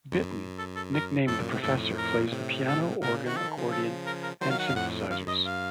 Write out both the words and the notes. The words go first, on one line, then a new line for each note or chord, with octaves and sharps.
Bittan, nicknamed The Professor, plays the piano, organ, accordion and synthesizers.
F2
F#2
A4
A4
A#4
F2 A2 A4
F#2 A#2
A2 C3
F2 A2 A4
A#4
A#2
A2 C3
A4
A2 C3 A#4
A#2 C#3
C3 D#3 F#4
F3 A4
D#3
C#3 F3
A4
A#4
A#4
D#3 F#3 C5
F5
F#5
F#2 F5
F2 A2 F#5
F#2 F5
F#2 D#5
F5